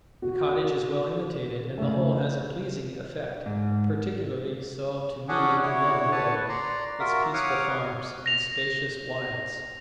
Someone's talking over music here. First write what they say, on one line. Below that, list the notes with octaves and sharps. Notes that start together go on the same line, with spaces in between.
The cottage is well imitated, and the whole has a pleasing effect, particularly so to me who love Norway--its peaceful farms and spacious wilds.
F#4
C#3 A3
G#2
C#4 D4 F#4 G#4 F#5
E4 F#4 C#5
B4 C#5 F#5 A5
D5 A#5 C6
F4 F#4 A#4 E5
C#5 F5 F#5 D6 D#6 F6
A#6 F7